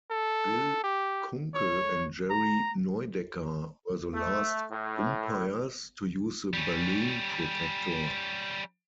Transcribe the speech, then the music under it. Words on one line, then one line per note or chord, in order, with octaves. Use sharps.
Bill Kunkel and Jerry Neudecker were the last umpires to use the "balloon" protector.
A4
G4
C#5
A#5
A3
A2
G3 C#4